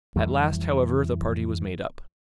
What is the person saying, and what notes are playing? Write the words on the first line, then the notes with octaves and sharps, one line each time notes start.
At last, however, the party was made up.
F2 E3 G3 A3